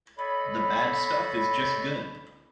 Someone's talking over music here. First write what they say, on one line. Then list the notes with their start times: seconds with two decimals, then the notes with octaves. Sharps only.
The bad stuff is just good.
0.19 A4 C#5 D#5 B5